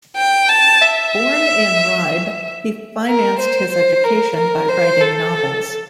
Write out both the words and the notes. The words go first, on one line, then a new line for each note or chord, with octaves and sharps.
Born in Ribe, he financed his education by writing novels.
G5
A5
E5
A#4
C5
C5
A#4
A#4
C5
A4